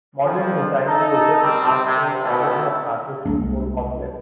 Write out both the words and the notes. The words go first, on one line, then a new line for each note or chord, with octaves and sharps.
Modern design closure has grown orders of magnitude more complex.
F2 F3
D#4 A4
G3 C4
C3
B1 B2 D#3 A3 E4 A4
C2 G#3 A#3 D4